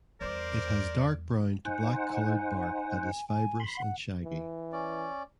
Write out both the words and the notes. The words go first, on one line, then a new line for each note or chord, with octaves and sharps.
It has dark brown to black coloured bark that is fibrous and shaggy.
E2 G3 A#4 C5 D5
D#4 C5 F#5 G#5
G#5
B5 C6
F#5
E3
C#4 D5